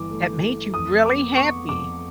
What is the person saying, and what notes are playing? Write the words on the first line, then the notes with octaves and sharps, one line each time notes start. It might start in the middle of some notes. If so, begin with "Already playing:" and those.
that made you really happy?
Already playing: G1 E3 D6
A3
A3
F2 D#6
B3 D6
B3 C#6
F2 D6